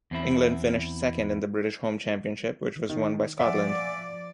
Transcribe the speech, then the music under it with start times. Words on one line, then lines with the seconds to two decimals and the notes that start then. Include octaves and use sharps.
England finished second in the British Home Championship, which was won by Scotland.
0.11 E2 C4 E4
2.90 D#3
3.39 F3 D5 E5 F#5 G#5